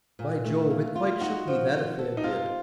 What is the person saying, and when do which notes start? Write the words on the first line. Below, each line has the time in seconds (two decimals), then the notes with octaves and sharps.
By Jove! it quite shook me, that affair did.
0.19 A#2
0.45 A3
0.70 A#3
0.96 F4
1.21 D#4 F#4
1.48 F3
1.73 D#4
1.99 A4
2.17 D#4
2.24 C3 F4